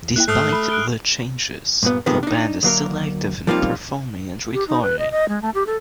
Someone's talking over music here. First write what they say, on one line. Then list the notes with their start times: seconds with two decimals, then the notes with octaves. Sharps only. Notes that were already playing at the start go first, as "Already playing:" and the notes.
Despite the changes, the band is still active in performing and recording.
0.03 E2
0.16 A#3 E4 G5 F#6
0.28 G#2 A3 D#6 F6 C7
0.53 B5
0.70 F#6 D7 G7
1.83 G2 A#2 B3
2.06 C3 D#3 F3 G#3 A3 B3
2.23 D4 D#4
2.63 D2 F#3 A#3 A#4
3.47 F3 G3 A#3 C4 D#4 F4
4.53 G4
4.68 D#4
4.82 B4
4.99 D#5
5.11 D#5
5.29 G#3
5.42 A3
5.54 G4
5.66 A4